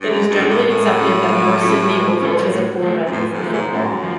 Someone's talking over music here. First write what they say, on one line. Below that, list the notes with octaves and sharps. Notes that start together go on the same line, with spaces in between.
It is generally accepted that North Sydney Oval is a poor venue for football.
G2
F#2 G#3
G2
C#4 F4 A4
A2
A2 G#3
C#4 F4 A4
G#3
C#4 F4 A4
G#3
C#4 F4 A4
A2
F3 A3
F#2
F2 A2
G#2
F3 A3
G#2
F#2 A2
F3